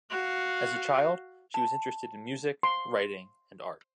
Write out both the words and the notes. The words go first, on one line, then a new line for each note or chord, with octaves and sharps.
As a child, she was interested in music, writing and art.
F#4 F5
A5
C6